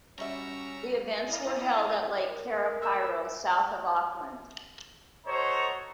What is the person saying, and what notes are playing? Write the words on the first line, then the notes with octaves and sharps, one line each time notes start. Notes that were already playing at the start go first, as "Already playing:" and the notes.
The events were held at Lake Karapiro, south of Auckland.
G3 C#4 F#4 C#5 E5 A#5 C#6 E6
E4 D5 F5 A#5 D#6
A#4
E6
F#4 A4 C5 C#5 D#5 A#5